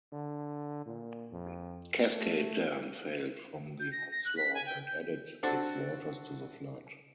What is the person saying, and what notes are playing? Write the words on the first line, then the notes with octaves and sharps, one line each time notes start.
Cascade Dam failed from the onslaught and added its waters to the flood.
D3
A#2
F2
A3
G6
A#6
A#6
F#6
B6
G#5
G5
G6
C4 D4 F#4 A4